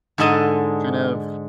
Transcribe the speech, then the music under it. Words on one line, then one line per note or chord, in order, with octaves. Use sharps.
kind of
G#2 D3 G#3 A4 D#5 A5